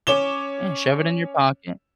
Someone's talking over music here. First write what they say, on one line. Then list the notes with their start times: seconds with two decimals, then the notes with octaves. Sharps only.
Yeah, shove it in your pocket.
0.07 C#4 C#5 D6 E7 G7